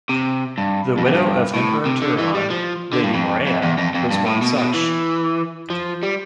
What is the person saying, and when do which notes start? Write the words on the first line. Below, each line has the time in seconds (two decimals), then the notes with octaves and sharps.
The widow of Emperor Turhan, Lady Morella, was one such.
0.09 C3
0.58 G2
0.98 F2
1.06 E2
1.15 G2
1.54 A2
1.85 C3
2.02 D3
2.19 E3
2.35 G3
2.50 F3
2.93 D3
3.04 G2
3.14 F2
3.46 F2
3.63 E2
3.78 F2
3.94 F2
4.11 G2
4.26 A2
4.42 B2
4.58 B2
4.74 E3
5.70 F3
6.03 G3